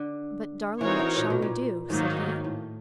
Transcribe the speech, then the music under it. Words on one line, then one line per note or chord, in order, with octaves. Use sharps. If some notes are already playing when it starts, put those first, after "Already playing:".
"But, darling, what shall we do?" said he.
Already playing: D3
E3 C4 D#4 F#4 A#4 C#5
E3
A#2
B2
A#2
G#2 D#3 F#3 A#3 D#4
G#2
A2